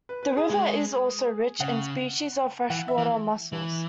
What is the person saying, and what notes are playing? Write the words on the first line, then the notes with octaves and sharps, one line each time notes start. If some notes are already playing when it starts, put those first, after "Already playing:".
The river is also rich in species of freshwater mussels.
B4
B4
G#4
G#3
C#3 F#5
E3 F#5
E5
E3
E3